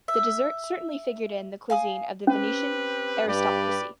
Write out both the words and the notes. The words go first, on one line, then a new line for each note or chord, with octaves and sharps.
The dessert certainly figured in the cuisine of the Venetian aristocracy.
E5
F5 G#5 D#6
C4 C#4 G4 B4
G2 G4 B4 D5